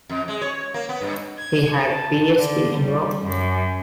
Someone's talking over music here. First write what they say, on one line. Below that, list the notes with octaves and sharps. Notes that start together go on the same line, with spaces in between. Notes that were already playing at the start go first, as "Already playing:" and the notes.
He had a PhD in law.
F2
G#3
C#5
A#3
B3
G2
G#6
A5
D3
G3
F#2